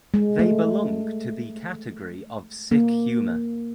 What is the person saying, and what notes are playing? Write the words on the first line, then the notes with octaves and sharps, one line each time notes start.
They belong to the category of sick humor.
G#3
A3
A#3